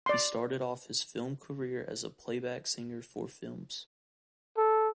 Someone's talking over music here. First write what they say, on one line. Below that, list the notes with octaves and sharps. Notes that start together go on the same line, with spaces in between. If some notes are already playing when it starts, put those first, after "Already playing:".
He started off his film career as a playback singer for films.
D5 C6
A4